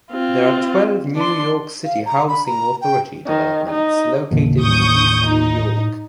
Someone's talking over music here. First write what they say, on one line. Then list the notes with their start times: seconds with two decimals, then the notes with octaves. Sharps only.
There are twelve New York City Housing Authority developments located in East New York.
0.12 C4 F4
1.16 D4 C6
1.85 F5
2.06 A#5
2.28 B5
2.46 A#5
2.81 G5
3.27 D#3
3.70 D#4
4.31 A1 D#2 C#3
4.61 A2 C#6 D#6 G6
5.25 D#4